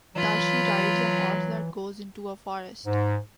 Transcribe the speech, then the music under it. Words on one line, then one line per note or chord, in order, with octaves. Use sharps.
Tashi rides a horse that goes into a forest.
E3 F#3 F4 B5
G#2